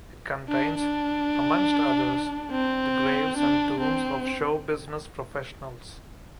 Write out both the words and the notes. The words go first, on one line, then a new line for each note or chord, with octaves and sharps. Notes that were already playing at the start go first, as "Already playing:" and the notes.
It contains-amongst others-the graves and tombs of showbusiness professionals.
D4
D4
C4
D4
C4